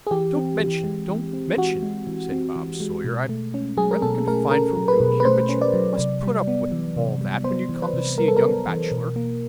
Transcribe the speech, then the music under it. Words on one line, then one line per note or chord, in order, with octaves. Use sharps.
'Don't mention it, don't mention it,' said Bob Sawyer. 'I'm rather confined for room here, but you must put up with all that, when you come to see a young bachelor.
G#4
E3 G4
C4
E3
G#3
E3
C4
E3 F#4
G#3
E3
C4
E3
G#3
B2
A3
C#4
F#3 G#4
A#4
B2 A4
A3 A#4
C#4 A#4
F#3
B4
B2
B4
A3 C5
C#4
D5
F#3
C3
G3
B3
E3
C3
G3
B3 C5
E3
B4
C3
G3 A#4
A4
A#4
B3
E3
B2
A#3